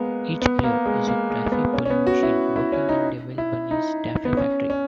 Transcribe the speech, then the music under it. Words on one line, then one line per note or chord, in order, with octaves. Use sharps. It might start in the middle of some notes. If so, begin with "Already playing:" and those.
Each player is a taffy pulling machine working in Devil Bunny's taffy factory.
Already playing: G#3 A#3 B3
B3
A#3
G#3
A#3
G#3
B3
C#4
C#4
B3
F#4
E4
E4
C#4
D#4
E4
D#4
B3
C#4
C#4